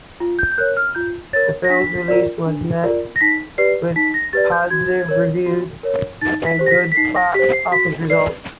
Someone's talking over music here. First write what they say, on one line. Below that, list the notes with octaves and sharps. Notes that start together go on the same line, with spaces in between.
The film's release was met with positive reviews and good box office results.
F4
G6
G6
A#4 C#5 F#6
F6
F4 G6
A#4 C#5 A6
A#6
D4 B6
F4 A#4 D5
D4
F4 A#4 D5
A#6
D#4 B6
G4 B4 D5 C7
D#4 B6
A#6
G4 B4 D5 A6
G6
F#4 G#6
A#4 C#5
F#4
A#4 C#5
D#4 A6
B6
G4 C5
A#6
B6
B6
D#4 C7
A#6
G4 C5 B6
C7
F#4 B6
B4 D5 C7